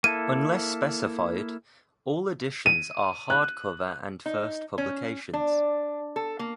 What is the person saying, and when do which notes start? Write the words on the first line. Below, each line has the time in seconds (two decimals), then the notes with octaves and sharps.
Unless specified, all editions are hardcover and first publications.
0.04 A#3 E4 A4 D#7
2.66 D#7
3.30 F#6
4.26 D#4
4.78 C#4
5.34 D4
6.16 A4
6.39 A#3